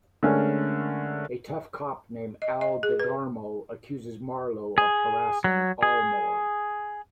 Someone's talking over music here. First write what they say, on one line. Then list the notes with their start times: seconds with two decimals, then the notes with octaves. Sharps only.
A tough cop named Al Degarmo accuses Marlowe of harassing Almore.
0.23 D3 G#3 A3 C#4 A#4
2.42 D#5
2.61 D#5
2.83 G#4
2.99 B4
4.78 G#4
5.44 F#3
5.83 G#4